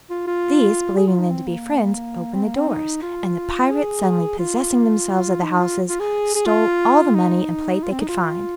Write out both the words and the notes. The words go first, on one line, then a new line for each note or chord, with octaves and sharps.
These, believing them to be friends, opened the doors; and the pirates, suddenly possessing themselves of the houses, stole all the money and plate they could find.
F4
F4
G#4
F4
D#4
C4
A#3
C4
A#3
C4
D#4
F4
G#4
F4
D#4
F4
F4
G#4
G#4
F4
D#4
F4
C4
D#4
F4